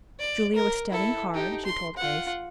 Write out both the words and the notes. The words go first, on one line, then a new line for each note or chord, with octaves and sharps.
Julia was studying hard, she told Grace.
D5
A#4
E4 A4
D#4 G4
C6
F4 F#5